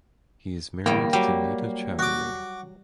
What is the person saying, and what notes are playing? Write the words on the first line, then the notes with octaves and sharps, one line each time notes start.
He is married to Neeta Chaudhari.
G1 E2 G3 A#3 G5
F#3 G3 G4
F#4 D6